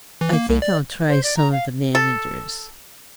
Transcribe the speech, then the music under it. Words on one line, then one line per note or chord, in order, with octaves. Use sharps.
"I think I'll try some of the managers."
E3
A#3
C2
D5
C5
D5
A#5
F5
A4